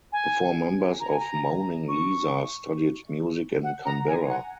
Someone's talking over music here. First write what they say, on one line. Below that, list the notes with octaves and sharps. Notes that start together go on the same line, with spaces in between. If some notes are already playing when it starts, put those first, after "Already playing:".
The four members of Moaning Lisa studied music in Canberra.
G#5
A#5
G#5
A#5
C#6
F#5
A#5
G#5
F#5